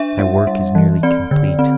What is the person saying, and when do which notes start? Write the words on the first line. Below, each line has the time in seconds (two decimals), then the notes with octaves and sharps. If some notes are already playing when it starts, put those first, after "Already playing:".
My work is nearly complete.
Already playing: D4 E5
0.19 G3
0.47 G3
0.75 E3
1.03 C4 D5
1.31 D3
1.59 C4